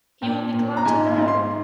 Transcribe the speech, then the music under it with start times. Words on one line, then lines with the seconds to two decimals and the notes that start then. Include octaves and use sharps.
He will be glad to know!
0.22 A#2 G5
0.54 A#2
0.77 A#5
0.85 G#2 G#5
1.18 G#2
1.28 C6